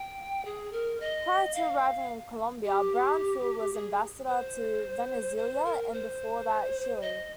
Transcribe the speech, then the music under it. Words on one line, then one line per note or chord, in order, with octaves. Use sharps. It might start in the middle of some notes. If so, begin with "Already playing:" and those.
Prior to arriving in Colombia, Brownfield was Ambassador to Venezuela, and before that Chile.
Already playing: G5
G#4
A#4
D#5
F5
G4
G#4
C5
C5
A#4
C5
D#5